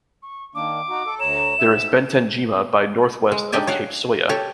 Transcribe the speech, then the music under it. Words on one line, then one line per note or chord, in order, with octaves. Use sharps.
There is Benten-jima by northwest of Cape Soya.
C#6
D#3 A#3 D4 D6
D#4 F#4
A4
D2 C#5 A#5 E7
G#2 E5
G#3
D4 D#4 G4 D5 G#5
C#5 D5 F5 F#5
G4 A4 C#5